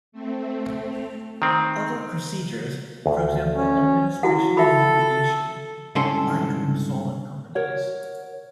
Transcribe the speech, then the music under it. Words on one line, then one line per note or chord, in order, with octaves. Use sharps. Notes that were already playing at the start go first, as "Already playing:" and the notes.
Other procedures, for example administration and liquidation, apply to insolvent companies.
A3 C4
D#3 C4
D2
C#4
E4 F#4 F#5
F4 A4 E5 B5
C2 G#2 D3 C#4 A4 C6
A#4 C#5 F#5